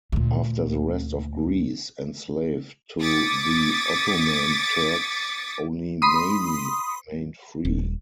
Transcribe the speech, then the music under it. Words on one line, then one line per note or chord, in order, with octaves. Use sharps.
After the rest of Greece enslaved to the Ottoman Turks only Mani remained free.
D2 A#2
D6 D#6 G#6 A6 B6 C#7
B5 C6 D#6
D#1